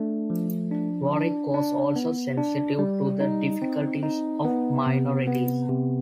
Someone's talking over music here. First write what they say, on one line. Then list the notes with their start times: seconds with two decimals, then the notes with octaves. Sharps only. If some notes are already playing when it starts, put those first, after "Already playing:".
Warrick was also sensitive to the difficulties of minorities.
Already playing: A3 D4
0.30 F3
0.71 D4
1.14 D4
1.54 D4
1.96 B3
2.37 D4
2.79 G3
3.20 D#4
3.62 C4
4.03 D#4
4.45 B3
4.87 C3
5.27 B3
5.69 C3